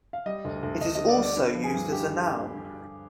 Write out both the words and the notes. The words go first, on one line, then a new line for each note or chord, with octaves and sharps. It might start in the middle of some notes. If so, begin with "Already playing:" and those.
It is also used as a noun.
F5
G3 D#5
D2
D2
D2 D#5
D3 D#5
D5
G3
D5
D3 B4
F3
G#4
G2
D3 G4